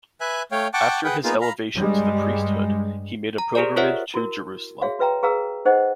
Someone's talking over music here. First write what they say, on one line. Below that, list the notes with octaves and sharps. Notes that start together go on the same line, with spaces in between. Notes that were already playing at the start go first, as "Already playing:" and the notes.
After his elevation to the priesthood, he made a pilgrimage to Jerusalem.
B4 E5 G#5 F#6
A3 C#5 F5 G5
F#5 G5 A5 C#6 D6
G#4 B4 F#5 G5
A#3 B3 D#4 F4 G#4
F5 A#5 B5
G2 G3 G#3
A#5
G4 G#4 A#4 C5 D5
F4 A#4 C5 C#5 E5 F#5
E4 F#4 A#4
F#4 G#4 C#5 E5 F5
F#4 B4 E5 G5 A#5
G#4 B4 F5 A#5 E6
D#4 G#4 C5 D#5 F#5